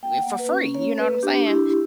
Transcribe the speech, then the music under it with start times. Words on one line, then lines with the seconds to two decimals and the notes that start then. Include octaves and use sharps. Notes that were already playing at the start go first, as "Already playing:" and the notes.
eh, for free. You know what I'm saying?
0.03 A#3 G5
0.21 F#5
0.27 A#3
0.39 B4
0.51 C#4
0.75 A#3 C#5
0.99 A#3 B4
1.23 D4 G4
1.47 E4 G4